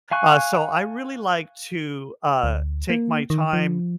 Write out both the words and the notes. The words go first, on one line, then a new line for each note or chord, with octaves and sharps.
Uh, so I really like to, uh, take my time,
F5 G#5 C#6 F#6
D2
A#3
D#3
F3